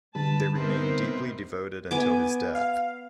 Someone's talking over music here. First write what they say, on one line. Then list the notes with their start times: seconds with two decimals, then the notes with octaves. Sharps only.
They remained deeply devoted until his death.
0.15 D3 G3 B4 A5
0.55 C3 B3 D#4 A#4 C5
1.91 B3 G#5 D6
2.55 F5